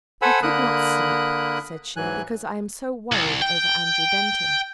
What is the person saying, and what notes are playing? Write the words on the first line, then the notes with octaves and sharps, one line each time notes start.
"I could not sleep," said she, "because I am so worried over Andrew Denton."
A4 C5 F#5 G#5 B5 E6
D3 A#3 A#4 B5 D#6 F#6
G#2 E3 F#3 G#5 F#6
C2
G5